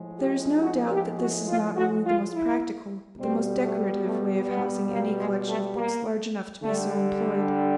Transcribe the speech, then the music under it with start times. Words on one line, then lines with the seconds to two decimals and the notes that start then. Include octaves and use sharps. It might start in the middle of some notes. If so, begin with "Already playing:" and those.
There is no doubt that this is not only the most practical, but the most decorative, way of housing any collection of books large enough to be so employed.
Already playing: A2 F3 G#3
0.18 G4
0.62 F#4
0.91 G4
1.19 F#4
1.48 F4
1.76 F#4
2.05 F4
2.33 E4
3.19 B2 G3 C4
3.62 A3
4.05 A3
4.48 B3
4.91 A#3
5.19 G#3
5.48 A3
5.76 A#3
6.62 D3 G3 A3